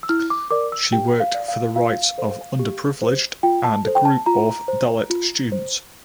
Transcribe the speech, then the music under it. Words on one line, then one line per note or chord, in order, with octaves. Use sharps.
She worked for the rights of underprivileged and group of Dalit students.
E6
E4 F6
D6
A#4 D5 D6
E6
G4 G5
F5
D5
F5
F4 F5
A4 C5
G4
C5
F4 G5
A5
A4 C5
G5
A5
F4 A#5
C5
F4
C5